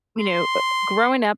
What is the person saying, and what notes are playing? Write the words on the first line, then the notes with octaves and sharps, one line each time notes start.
you know, uh, growing up
C6